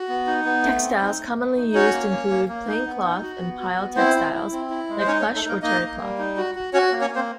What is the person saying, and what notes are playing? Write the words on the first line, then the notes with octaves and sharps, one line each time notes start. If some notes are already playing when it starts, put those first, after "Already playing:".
Textiles commonly used include plain cloth and pile textiles like plush or terrycloth.
Already playing: F#4
B3
D#4
B3
A3
C4
D#4
A3
A3
D#4
C#4 F#4 C#5
A#3
A#3
A#3
A#3
D#4
B3
D#4
F#4
B3
F#4
B3
C4 E4 C5
E4
E4
C4
E4
G#3
C5
C#4 D#4 C#5
C#4 C#5
D#4
A3 A4
A#3 D#4 A#4
A#3 D#4 D#5
A#3
G3
D#4
F#4
F#4
C#4 F#4 C#5
A#3
C#4 C#5
A#3 C4 C5